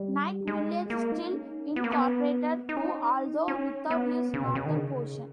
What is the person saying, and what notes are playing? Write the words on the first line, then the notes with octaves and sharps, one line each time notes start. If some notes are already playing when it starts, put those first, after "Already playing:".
Nyack village still incorporated, too, although without this northern portion.
Already playing: G3
G#3
A#3
D#4
C#4
B3
A#3
B3
D#4
C#4
D#4
C#4
B3
C#3
B2
C#3
D#3
C#3